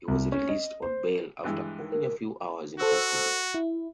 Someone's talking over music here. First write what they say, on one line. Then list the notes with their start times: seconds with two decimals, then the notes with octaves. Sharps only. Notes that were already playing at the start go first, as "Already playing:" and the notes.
He was released on bail after only a few hours in custody.
0.08 C2
0.32 C#4
0.49 D#5
0.82 C5
1.44 G2 E3 G#3
1.92 A#4
2.80 F#4 A4 C5 E6
3.54 E4